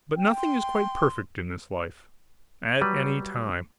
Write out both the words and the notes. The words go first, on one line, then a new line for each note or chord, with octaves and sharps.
But nothing is quite perfect in this life, at any time.
G5
C6
F#3 G3 B4